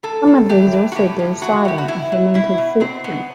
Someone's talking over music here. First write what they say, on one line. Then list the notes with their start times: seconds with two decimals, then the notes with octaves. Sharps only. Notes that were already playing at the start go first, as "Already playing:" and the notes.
Some of these also brew cider, a fermented fruit drink.
0.03 A2 A4
0.27 A2
0.49 E3 G4
0.73 E3
0.92 F#4
0.95 A2 G4
1.19 A2
1.42 E3 F#4
1.65 E3 G4
1.78 F#4
1.88 B2 E4
2.12 B2
2.34 B2 E4
2.58 B2
2.80 B2 C4
3.04 B2 B3